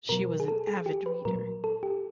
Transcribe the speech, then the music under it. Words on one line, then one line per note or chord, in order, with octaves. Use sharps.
She was an avid reader.
B2 F#3 A#4
G#4
A4
G#4
G4
B4
A#2 F#3 A#4
A4
G4